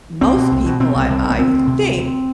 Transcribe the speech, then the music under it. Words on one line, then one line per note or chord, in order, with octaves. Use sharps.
most people I I think
C2 C4
B2
C2
B2
B2 C4
C2
C2
C2
B3
D2 C4
D2
C3
D2
D2